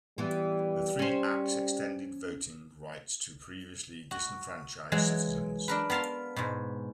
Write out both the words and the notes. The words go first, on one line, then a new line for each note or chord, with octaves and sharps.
The three acts extended voting rights to previously disenfranchised citizens.
E3 G3 B3
C#4 C5
F#4
E3 F#3 G#3
D4 A#4 B4
B3 A#4 F5 A5 C6
G#2 B2